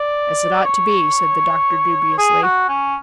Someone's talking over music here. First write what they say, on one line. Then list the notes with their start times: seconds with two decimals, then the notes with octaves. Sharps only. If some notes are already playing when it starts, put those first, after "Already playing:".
"As it ought to be," said the doctor dubiously.
Already playing: D5
0.65 C#5
2.18 G#4
2.43 F#4
2.68 C#4